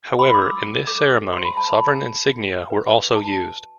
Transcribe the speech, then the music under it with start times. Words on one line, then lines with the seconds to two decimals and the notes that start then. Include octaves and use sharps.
However, in this ceremony sovereign insignia were also used.
0.19 B5
0.27 C6
0.34 D6
0.42 F#4 E6
0.87 A4 D6
1.33 C5 C6
1.45 B5
1.57 A5
1.68 B5
1.79 F#4
2.25 F#4
2.70 B4
3.16 F#4 A5